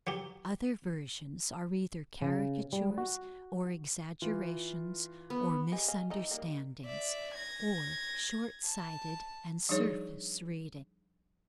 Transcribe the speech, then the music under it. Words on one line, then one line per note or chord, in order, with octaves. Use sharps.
Other versions are either caricatures, or exaggerations, or misunderstandings, or shortsighted and surface readings.
F#3 G4
C#3
G3
F#4
E3 F4
B3
G4 D#5 G#5
D#5 F5 G#5
E3 G3 D#4
D#3 G3 A#3
D5 E5
G#6 A#6
A5
F3 G3 D4 D#4 G#4 C#5